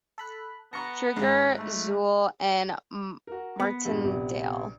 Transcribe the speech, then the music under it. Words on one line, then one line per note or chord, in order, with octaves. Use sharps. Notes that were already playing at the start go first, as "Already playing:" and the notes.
Krueger, Zuehl, and Martindale.
A4 B5 F#6
B3 A5 A#5 C#6 A#6 C#7
G#1 G#2 G#3 C7
A3
F#4 A#4
B3
G2 A#2
A#1 C3